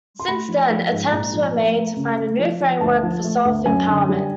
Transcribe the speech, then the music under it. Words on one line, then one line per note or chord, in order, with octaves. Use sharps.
Since then, attempts were made to find a new framework for self-empowerment.
C6
A3 B5
F3
F3
G#2
A#1 A#5
F3
A3
A3
C#3
A3
F3
F3
D2 A5
F3
A3
D2
F#2 G#5
D3
G3